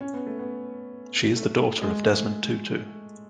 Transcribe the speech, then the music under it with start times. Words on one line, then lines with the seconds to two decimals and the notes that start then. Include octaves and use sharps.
She is the daughter of Desmond Tutu.
0.01 C#4
0.14 B3
0.26 A3
0.39 B3
1.36 A3
1.59 A3
1.81 G#3
2.03 A3